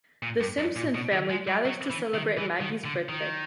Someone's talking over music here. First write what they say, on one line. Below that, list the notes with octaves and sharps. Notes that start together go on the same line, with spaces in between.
The Simpson family gathers to celebrate Maggie's birthday.
A#2
G2
F#2
A#2
B2
D#3
G#3
G3
F#3
E3
D#3
E3
D#3
D3
D#3